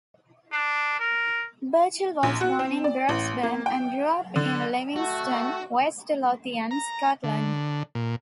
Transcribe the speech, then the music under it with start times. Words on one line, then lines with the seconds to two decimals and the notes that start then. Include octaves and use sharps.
Burchill was born in Broxburn and grew up in Livingston, West Lothian, Scotland.
0.52 D4
0.99 A#4
2.23 A#1
2.41 F#4
2.59 C4
2.84 D5
3.09 A1
3.43 A#3
3.66 G5
4.36 D3
4.96 A3 F#4
6.71 A#5
7.24 D3
7.95 A#2